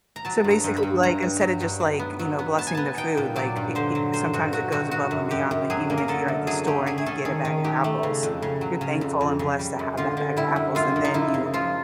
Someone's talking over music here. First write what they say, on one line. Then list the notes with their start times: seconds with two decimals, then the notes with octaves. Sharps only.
So basically, like, instead of just, like, you know, blessing the food, like, it it sometimes it goes above and beyond, like, even if you're at the store and you get a bag of apples, you're thankful and blessed to have that bag of apples, and then you,
0.16 A#5
0.25 F#3 A5
0.44 G2
0.51 A#5
0.64 G2
0.77 B5
0.83 G2
1.03 G2 A#5
1.22 G2
1.41 F#3
1.60 G2
1.80 F#3
1.99 B3
2.19 F#3
2.39 B3
2.58 B3 A5
2.67 G#5
2.75 B3 A5
2.97 D#4 G5
3.17 A#2
3.36 F#3 D5
3.56 G2
3.75 D3 C5
3.95 F#3
4.13 G2 C5
4.33 G2 F#4
4.53 F#3 F#4
4.72 G2 F#4
4.91 F#3 F#4
5.11 F#2
5.31 F#2 G4
5.51 F#2
5.70 F#3 G#4
5.90 A#3
5.98 A#4
6.08 D3 A4
6.28 F#2
6.47 F#3 G#4
6.66 A3 G4
6.86 A3 G#4
6.98 G#4
7.06 C#4 A4
7.25 D#3 G#4
7.45 D#3
7.64 F#3 G4
7.84 A3
8.03 C#3
8.23 F2
8.42 C#3
8.61 F#3
8.81 C#3
9.01 F2
9.21 F2
9.39 C#3
9.59 G3
9.79 F#2
9.97 D3 F4
10.17 D3
10.37 G3 E4
10.56 F#2
10.75 F#2 F4
10.96 F#2
11.05 D#4
11.14 F3 E4
11.34 C#3
11.54 F3 F4